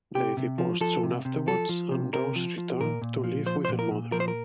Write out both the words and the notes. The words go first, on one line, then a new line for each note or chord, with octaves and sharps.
They divorced soon afterwards and Rose returned to live with her mother.
C3 G4
C3
F3
F3 A4
C3
C3
F3 A4
F3
C3
C3 A#4
F3
F3
A#2 A#4
A#2
F3
F3 C5
C5
A#2
A#4
A#2
F3 A#4
C5
A#4